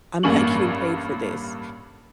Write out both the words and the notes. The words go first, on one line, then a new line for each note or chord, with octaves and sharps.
I'm not getting paid for this,
A1 G2 A#3 A#4 C#6 F#7